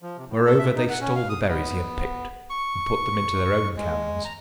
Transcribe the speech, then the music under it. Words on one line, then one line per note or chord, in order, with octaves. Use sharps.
Moreover, they stole the berries he had picked, and put them into their own cans.
F3
C3
A2
A4
E5
D#4
F#5
C#4
F5
D#6
B3
C#6
G#3
A#5